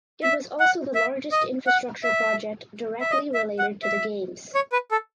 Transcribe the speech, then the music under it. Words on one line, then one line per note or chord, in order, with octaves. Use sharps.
It was also the largest infrastructure project directly related to the Games.
E5
F#5
E5
D#5
F#5
E5
E5
D#5
E5
F#5
E5
C#5
B4
A4